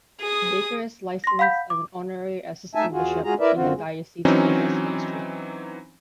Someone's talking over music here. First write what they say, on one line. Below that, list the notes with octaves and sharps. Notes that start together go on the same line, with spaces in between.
Baker is licensed as an honorary assistant bishop in the diocese for this ministry.
G#4 D#6
C6 A#6
F5 F#5 B5 G6 B6
D6
A3 D#4 E5 G#5 A5
E2 F4 F#4 G#4
G#3 F4 F#4 G#4 A#5
E4 A#4 B4 D5 E5
F#2 D3 C4 F4 F#4
G#3
E3 F#3 C4 C#4 D#4